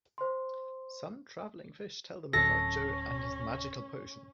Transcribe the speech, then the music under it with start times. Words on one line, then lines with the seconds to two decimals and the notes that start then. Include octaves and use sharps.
Some traveling fish tell them about Joe and his "magical potion".
0.18 C5 C6
2.33 D1 C#4 A4 A#6